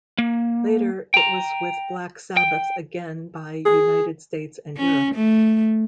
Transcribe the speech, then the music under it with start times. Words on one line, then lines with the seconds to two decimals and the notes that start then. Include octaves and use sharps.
Later it was with Black Sabbath again by United States and Europe.
0.18 A#3
1.14 G5 A#5
2.37 G5
3.65 G#4
4.77 C#4
5.14 A3